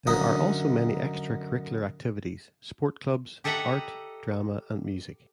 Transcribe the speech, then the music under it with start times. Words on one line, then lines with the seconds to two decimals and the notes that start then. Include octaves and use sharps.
There are also many Extra-curricular activities, Sport Clubs, Art, Drama and Music.
0.07 F#2 D3 D#4 E5 D#6
3.44 G4 A4 D#5 E5 F#5 A#5